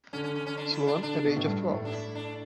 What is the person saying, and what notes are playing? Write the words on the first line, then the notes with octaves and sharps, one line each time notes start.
Sloan, at the age of twelve.
D3 C#4
C#4
C#4
C#4
D4
E4
D4
D3 D4
C#3
B2
A2
G2
A2
D4
E4
D4